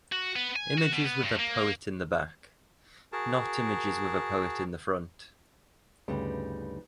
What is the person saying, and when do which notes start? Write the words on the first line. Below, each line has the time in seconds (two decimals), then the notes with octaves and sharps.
Images with a poet in the back, not images with a poet in the front.
0.12 F#4
0.36 B3
0.56 G#5
0.78 F#4
0.93 B2
1.05 B3
1.24 G2
1.39 A#3
3.12 F#4 G#4 A#4 A5
6.08 D2 G2 C#3 G3 B3 D#4